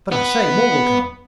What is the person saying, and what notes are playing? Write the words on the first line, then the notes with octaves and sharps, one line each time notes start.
But I say, more will come!
B3